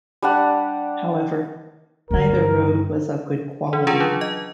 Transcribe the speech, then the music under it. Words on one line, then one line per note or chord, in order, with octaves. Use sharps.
However, neither road was of good quality.
G3 D4 F#5
G2 D3 A#4
E3
C#4 D4 F4 G#4
F#3
D#5